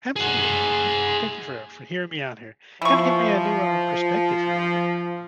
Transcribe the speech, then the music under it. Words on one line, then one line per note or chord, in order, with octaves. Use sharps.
Absolutely here and, um, thank you for, uh for hearing me out here. Kinda giving me a new, uh, perspective here on it here, you know?
G#4 F#5
E3 F3 C#6